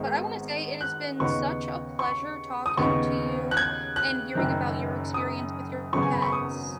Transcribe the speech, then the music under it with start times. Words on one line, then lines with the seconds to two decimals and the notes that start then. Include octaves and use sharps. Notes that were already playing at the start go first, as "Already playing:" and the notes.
But, I wanna say, it has been such a pleasure talking to you and hearing about your experience with your pets.
Already playing: G#1 G#2 G#3 B3 D#4
0.81 F#6
1.20 D#2 C#3 B3 D#4 C#6
1.99 C#6
2.66 D#6
2.77 D#2 C#3 B3 D#4 C#6
3.51 F#6
3.57 G#6
3.96 F#6
4.35 F#1 F#2 D#3
5.14 D#6
5.93 G#1 F#2 C#3 B3 C#6
6.03 G#5
6.12 B5
6.22 C#6
6.32 D#6